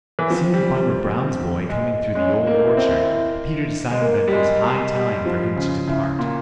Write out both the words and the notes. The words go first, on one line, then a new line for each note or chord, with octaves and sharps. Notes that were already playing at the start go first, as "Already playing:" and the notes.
Seeing Farmer Brown's boy coming through the Old Orchard Peter decided that it was high time for him to depart.
E3
F3 C4
G3
G3
C4
G#3
G#3 C#4
A#3
E4
C4
G#3
A#3
G3
G#3
G#3
G3
F3
C#3
C#3 E4
A#2